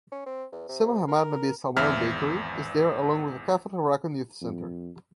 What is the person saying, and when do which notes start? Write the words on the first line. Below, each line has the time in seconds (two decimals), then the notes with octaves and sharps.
Sama Ahmad Nabil Salman Bakery is there along with the Kafr Zarqan Youth Center.
0.12 C#4
0.26 C4
0.52 E2
0.69 C3
1.08 A#4
1.77 G#1 E2 E5 F6
4.41 F2